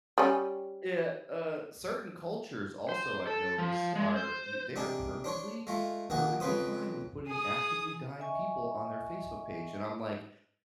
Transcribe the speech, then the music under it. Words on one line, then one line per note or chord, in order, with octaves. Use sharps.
Yeah, uh, certain cultures also I've noticed are, y they are perfectly, perfectly fine with putting actively dying people on their Facebook page, and I'm, like,
G3 C#4
C5
A4
F3
G#3
C5
C3 D4 D#4 G#4
D4 C5 C#5
G#3 A3 F4
A#1 D#3 G#4 F#5
F2 C#3 B4 C5 D#6
G#4 D#6
D#5 E5 G#5 C#6